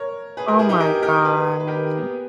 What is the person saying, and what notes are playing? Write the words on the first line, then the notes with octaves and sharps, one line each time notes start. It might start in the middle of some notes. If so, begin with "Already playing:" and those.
oh my god.
Already playing: A#4 C#5
G#4 B4
G4 A#4
E4 G#4
D#4 G4
G4 A#4
G4 A#4
G#4 B4
B4
G4 A#4
B3